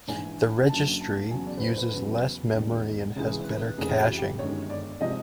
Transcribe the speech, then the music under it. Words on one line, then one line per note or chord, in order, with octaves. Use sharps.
The registry uses less memory and has better caching.
A#1 G#2 E3 G#5
F#1 F#2 D3 F#3 A5
A5
E2 C#3 F#3 G#5
D5
B4
C5
B4
E2 C#3 F#3
E1 D#2 D#3 G#3
C#2 C3 E3 G#3 G#4
F1 F2 C#3 E3 G#4
F#4
G4
G1 F#2 D#3 G#3 C#5
D5
C3 F3 G#3 D#5